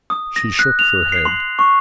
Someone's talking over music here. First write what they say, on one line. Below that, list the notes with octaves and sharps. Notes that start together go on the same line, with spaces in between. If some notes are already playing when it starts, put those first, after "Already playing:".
She shook her head.
D#6
A#6
F#6
F7
C7
C6
C#6